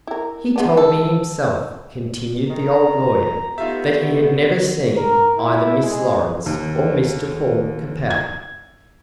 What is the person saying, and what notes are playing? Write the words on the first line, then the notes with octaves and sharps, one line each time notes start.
"He told me himself," continued the old lawyer, "that he had never seen either Miss Lawrence or Mr Paul Capel."
E4 A#4
G#3 B3 D4
A4
D#3 A#5
A3 B3 D#4 F4 G4 E5
A#4
E4
G#3
D#2
G#6